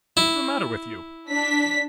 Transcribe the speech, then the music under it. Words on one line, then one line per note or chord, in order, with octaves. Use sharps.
What's the matter with you?
E4
D4 B6